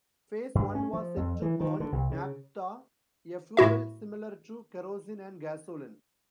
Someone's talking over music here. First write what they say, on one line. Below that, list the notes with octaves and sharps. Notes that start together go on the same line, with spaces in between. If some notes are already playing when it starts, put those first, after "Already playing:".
Phase one was set to burn naphtha, a fuel similar to kerosene and gasoline.
G2
C#4
F3
F2
E3
D#3
D3
C2
C#3
A2 E4 F#4 E5